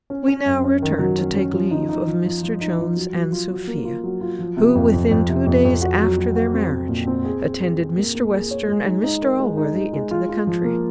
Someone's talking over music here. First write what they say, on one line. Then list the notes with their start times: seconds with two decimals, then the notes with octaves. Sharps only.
We now return to take leave of Mr Jones and Sophia, who, within two days after their marriage, attended Mr Western and Mr Allworthy into the country.
0.10 C#4
0.28 C#4
0.46 F#2
0.64 C#4
0.82 D#3
0.99 F#3
1.18 C#4
1.36 C#4
1.53 F3
1.71 D#4
1.89 D#4
2.07 F3
2.24 F3
2.43 F3
2.61 D#4
2.79 F3
2.96 F#3
3.14 F#3
3.32 F4
3.50 F#3
3.67 A#3
3.85 F4
4.04 F#3
4.21 F4
4.39 F3
4.57 C3
4.75 F2
4.93 F2
5.11 F2
5.29 C3
5.47 F2
5.65 F2
5.82 F#4
6.00 F#3
6.18 F#3
6.36 F#4
6.54 C4
6.72 C4
6.89 A#2
7.07 C4
7.25 G#4
7.43 G#4
7.61 G#4
7.79 G#4
7.97 A#3
8.15 A#3
8.32 G#4
8.51 C#5
8.68 G#3
8.86 D#4
9.04 D#4
9.22 A#4
9.40 G#3
9.57 D#4
9.76 D#4
9.93 G#3
10.11 F4
10.29 F4
10.47 F3
10.64 A#3